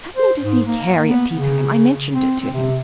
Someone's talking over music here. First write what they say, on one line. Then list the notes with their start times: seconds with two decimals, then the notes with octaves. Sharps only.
Happening to see Carey at teatime, I mentioned it to him.
0.16 C5
0.42 G#2
0.66 A#3
1.09 B3
1.34 C#3
2.14 C4
2.40 C4
2.53 C3